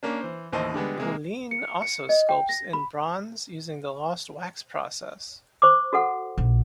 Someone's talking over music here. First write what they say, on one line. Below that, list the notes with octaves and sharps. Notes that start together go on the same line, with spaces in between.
Poulin also sculpts in bronze, using the lost wax process.
A#3 C#4 D4
E3 C5
A1 D#2 E3 C5 D#5 A5
D3 G3 G#3 B3
C3 G#3 A#3
C#7
C#7
D#5
G5
A#6
B5
C5 C#6 D6
F#4 A4 F#5
A#1